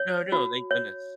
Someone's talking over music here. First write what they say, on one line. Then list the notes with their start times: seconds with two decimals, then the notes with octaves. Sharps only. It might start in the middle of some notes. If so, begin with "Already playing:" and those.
No, no, thank goodness.
Already playing: C#5
0.32 F#4
0.71 C#5